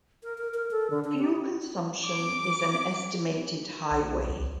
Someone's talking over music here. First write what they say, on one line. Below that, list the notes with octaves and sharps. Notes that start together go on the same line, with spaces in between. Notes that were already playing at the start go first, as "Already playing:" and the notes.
Fuel consumption is an estimated highway.
A#4
A#4
A#4
A4
D3
D4
G4
D6
B1
C#2